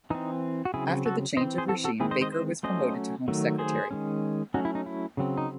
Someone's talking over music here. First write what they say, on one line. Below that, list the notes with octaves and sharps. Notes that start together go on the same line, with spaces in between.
After the change of regime Baker was promoted to Home Secretary.
E3 C4 D#4
F#4
C#3 F#3 C4 E4 G#4
F#4 A4
E3 C4 C5 D#5
G#4 C5
F#4 A4
F#4 A4
D#3 G#3 C4 E4 G#4
C5 D#5
C5 D#5
C5 D#5
F#3 A3 C#4 C5 D#5
D#3 F#3 A3
G#4 C5
D#3 G#3 C#4
F#3 A3 C#4 D#4 F#4
E4
D#4
E4
C#3 F#3 C4
D#4